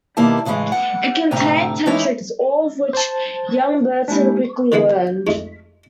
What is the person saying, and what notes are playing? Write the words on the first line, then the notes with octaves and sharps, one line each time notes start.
It contained ten tricks, all of which young Burton quickly learned.
B2 D#3 G3 A#3 E4 A5
A2 C#3 E3 F#3 G#3
F#5
D2 A2 C3 G5 A#5
E3 G#3 D#4 E4 C#5
C5 A5
G#3 A#3 D4 E4 G4
D3 E3 G#3 A#3 B3
F2 G#2 A3